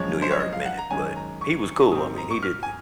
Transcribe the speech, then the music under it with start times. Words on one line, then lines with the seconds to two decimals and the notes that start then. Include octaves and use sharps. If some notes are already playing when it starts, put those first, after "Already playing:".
New York minute, but he was cool, I mean, he didn't
Already playing: F#2 F3 G#3 C#4 C#5
0.22 C5
0.31 C#5
0.40 D#5
0.53 F5
0.65 F#5
0.78 A#5
0.90 G#1 F#2 D#3 G#3 C#4 G#5
1.16 A#5
1.41 C#6
1.92 G#2 F#3 C4 D#6
2.17 A#5
2.31 C#6
2.43 F6
2.63 G#5